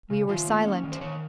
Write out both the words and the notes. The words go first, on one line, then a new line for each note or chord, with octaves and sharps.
We were silent.
C#3
D#3 F4
A#3
C#4
D#3
C5
D#3 C#5